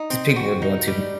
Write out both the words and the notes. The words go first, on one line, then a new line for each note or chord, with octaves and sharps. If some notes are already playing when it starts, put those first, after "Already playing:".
These people are doing too much.
Already playing: D#4
C4
F#4
D#4
G3